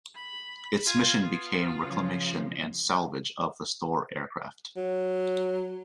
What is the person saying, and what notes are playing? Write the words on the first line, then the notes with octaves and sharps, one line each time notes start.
Its mission became the reclamation and salvage of the stored aircraft.
B5
F4 G#5
B3 F4
C#3 F3
F#3